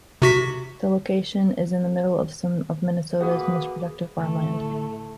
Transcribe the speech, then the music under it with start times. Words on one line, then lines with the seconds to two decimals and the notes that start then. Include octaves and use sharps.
This location is in the middle of some of Minnesota's most productive farmland.
0.22 C3 F#4 B6
3.21 A#3 F#4 G#4 B4 D6 D#6
4.18 A2 D3 A3